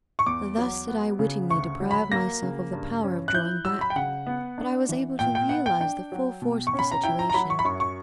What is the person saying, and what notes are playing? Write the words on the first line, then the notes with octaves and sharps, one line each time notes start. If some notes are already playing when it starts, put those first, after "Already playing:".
Thus did I wittingly deprive myself of the power of drawing back, but I was able to realize the full force of the situation.
C#6
E2 D6
F#3
B3
C#3
D2 C#6
F#3
B5
A#3 A#6
C#3
G2
C#4
F#6
E4 G6
F#3 E6
B5
G5
C#3 F#5
B3
D4
E3
A#2 G5
G5
B3 F#5
G5
D4 G5
F#3
B2
C#6
C#4
B5
A#5
E4 G5
A#5
A#5
F#3 B5
C#6
B5
F#2 C#6
C#6